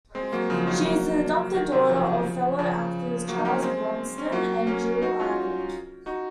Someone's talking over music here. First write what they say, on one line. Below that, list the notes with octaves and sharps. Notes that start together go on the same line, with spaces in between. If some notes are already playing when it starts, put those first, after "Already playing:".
She is the adopted daughter of fellow actors Charles Bronson and Jill Ireland.
G#3 C4
F#3 A#3
C#3 F3
D#3 F#3
F#3 A#3
D#3 F#3
C3 D#3
C#3 F3
C#3 F3
F#3 A#3
D#4
A#3 C#4
G#3 C4
C#4
C4
F#3 A#3
A#3 C#4
D#4 F#4
C#4 F4
D#4 F#4